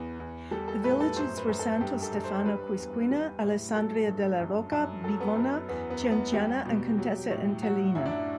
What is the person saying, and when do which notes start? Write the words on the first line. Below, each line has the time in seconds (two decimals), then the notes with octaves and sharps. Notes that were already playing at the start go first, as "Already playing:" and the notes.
The villages were Santo Stefano Quisquina, Alessandria della Rocca, Bivona, Cianciana, and Contessa Entellina.
Already playing: E2 B4
0.20 E2
0.51 G3 A4
0.68 A4
0.84 A2 B4
1.00 A4
1.16 F#2 C5
1.37 B4
1.48 F#2
1.59 A4
1.81 G2 G4
2.02 A4
2.13 G2
2.24 C5
2.46 G3 B4
2.78 E2
3.11 G3
3.43 A2
3.75 F#3 A4
4.07 G2
4.40 F#2
4.72 F#2
5.04 F#3 A4
5.21 B3
5.36 F#2 B3
5.69 E2 B3
5.90 B3
6.01 E2
6.11 B3
6.33 G3 G4
6.66 B2
6.98 F#3
7.30 A2
7.63 F#3 F#4
7.95 F#2 E4
8.06 D4
8.11 E4